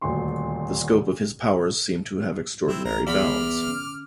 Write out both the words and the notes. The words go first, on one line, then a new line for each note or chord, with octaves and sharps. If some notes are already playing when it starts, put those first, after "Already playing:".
The scope of his powers seem to have extraordinary bounds.
D#1 D2 F#4 C6 C#6
B3 C4 E4 F4
C2 A#4 A#5
E2 B5 D6 F6
D3 C#4